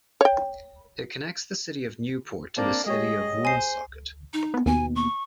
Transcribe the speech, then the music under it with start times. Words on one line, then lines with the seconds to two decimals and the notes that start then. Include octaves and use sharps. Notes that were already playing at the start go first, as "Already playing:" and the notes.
It connects the city of Newport to the city of Woonsocket.
0.21 C#5 G5
2.57 A#3 C4 D4 D5
2.86 G#3 G4 G#4 C#5 D#5
3.45 C5 G#5 C7
4.33 D#4
4.54 B3
4.66 D#2 B2 G#5
4.96 C#6